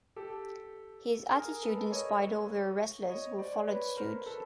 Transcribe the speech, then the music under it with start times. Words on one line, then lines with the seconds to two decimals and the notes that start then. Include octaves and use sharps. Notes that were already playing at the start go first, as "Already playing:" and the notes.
His attitude inspired other wrestlers who followed suit.
0.16 G4 A4
1.33 G#4 A#4
1.62 A4 B4
1.92 C#5 D#5
3.09 C#5 D#5
3.39 C5 D5
3.68 B4 C#5
3.97 A#4 C5
4.26 A4 B4